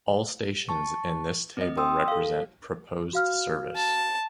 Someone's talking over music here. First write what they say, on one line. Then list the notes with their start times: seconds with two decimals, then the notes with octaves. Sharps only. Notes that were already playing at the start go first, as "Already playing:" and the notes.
All stations in this table represent proposed service.
0.69 A5 C#6
1.57 C4 D#5
1.77 G5 C6 D#6 E6
2.08 A4 F5
3.13 F#4 F5 F6
3.76 A5